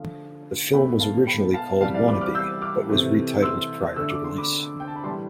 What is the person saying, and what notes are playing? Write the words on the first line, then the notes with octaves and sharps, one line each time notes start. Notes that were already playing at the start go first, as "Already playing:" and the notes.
The film was originally called "Wannabe", but was retitled prior to release.
Already playing: D3 F3 A3 F5
B2 A3 G5 B5
F5 A5
G5 B5
F5 A5
C3 E3 G3 F5 A5
D5 F5
B5 D6
D6 F6
E6 G6
D6 F6
C3 E3 A3
C6 E6
D3 A3 E6
D6
C6
B5 D6
G5
A5
B5
A2 E3 G3 A5 C6